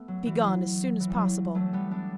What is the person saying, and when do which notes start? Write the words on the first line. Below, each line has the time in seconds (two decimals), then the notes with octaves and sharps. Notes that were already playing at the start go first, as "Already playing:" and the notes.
Begone as soon as possible.
Already playing: A3 B3
0.08 F#3
0.26 E3
0.44 F#3
1.00 E3
1.10 G3
1.18 F#3
1.55 F#3 A3
1.73 G3 B3
1.91 B3 D4